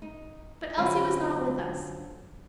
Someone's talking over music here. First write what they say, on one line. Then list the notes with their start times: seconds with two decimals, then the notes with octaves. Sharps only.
But Elsie was not with us.
0.02 D#4
0.77 D3 F#3 C4 C#4 F4 B4